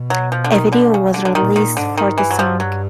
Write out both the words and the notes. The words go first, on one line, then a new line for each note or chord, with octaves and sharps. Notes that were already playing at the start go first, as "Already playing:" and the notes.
A video was released for the song.
Already playing: B2
F#3
F3
D3
D#3
D3
C#3
D3
D3
A#2 D#3
D#3
G#2 D3
D#3
G2 E3
F#3
F3
F#3